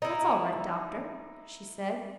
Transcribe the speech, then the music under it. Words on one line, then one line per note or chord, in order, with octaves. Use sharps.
"That's all right, Doctor," she said.
D#4 E4